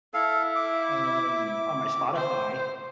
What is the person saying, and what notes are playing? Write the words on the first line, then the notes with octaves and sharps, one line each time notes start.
um, on my Spotify,
E4 A4 F5
D6
C5